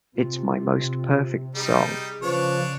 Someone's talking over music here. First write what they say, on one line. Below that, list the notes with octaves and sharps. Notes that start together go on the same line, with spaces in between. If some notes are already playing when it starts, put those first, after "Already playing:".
It's my most perfect song.
C3 F4
G3 D#4 G#4
C#3 F3 D4 B4 C#5